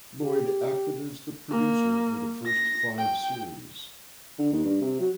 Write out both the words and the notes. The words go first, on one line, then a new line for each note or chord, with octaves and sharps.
Lloyd acted as the producer for the first five series.
G4
A#3
A#6
G5
D3
D#2
G2
C3
F#3